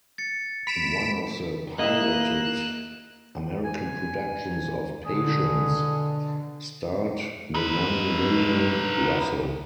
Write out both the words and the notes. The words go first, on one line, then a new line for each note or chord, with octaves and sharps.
One of the "pirated" American productions of "Patience" starred the young Lillian Russell.
A6 C#7
B5 B6 D7 E7
A#3 E4 G#4 D#5 F#6 E7
G#5
B2 D3 G#4
D#4 B4